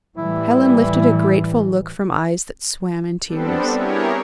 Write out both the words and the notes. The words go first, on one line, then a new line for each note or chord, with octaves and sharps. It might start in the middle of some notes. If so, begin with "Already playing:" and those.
Helen lifted a grateful look from eyes that swam in tears.
A2 E3 G3 E4
G3 B3 C4 D4 A4
B3 E4 G4 G#4 A#4 C#5